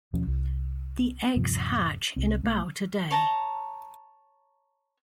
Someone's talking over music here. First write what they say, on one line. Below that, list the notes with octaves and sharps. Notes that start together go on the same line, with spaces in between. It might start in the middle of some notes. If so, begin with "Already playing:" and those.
The eggs hatch in about a day.
D#2 B2 F3 C#4
C2
D#1 G2 C3 F3
C2 C4
B1 A3 B3
C#5 A5 A#5